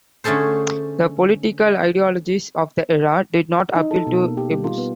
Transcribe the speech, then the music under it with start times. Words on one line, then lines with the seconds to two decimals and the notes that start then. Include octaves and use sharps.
The political ideologies of the era did not appeal to Ibuse.
0.24 D3 A3 C#4 G#4 A4 C5
3.76 D#4
3.91 A4
4.07 B2
4.23 A#3
4.37 G4
4.50 G3
4.64 F4
4.78 B3